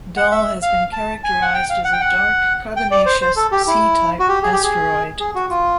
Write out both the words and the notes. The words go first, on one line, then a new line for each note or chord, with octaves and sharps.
"Dahl" has been characterised as a dark, carbonaceous C-type asteroid.
F#5
E5
F5
A5
G#5
F#5
G5
F5
F#5
G5
F#5
G5
D5
C5
C5
A4
G4
E4
F#4
G4
G#4
G4
G#4
G#4
F#4
F4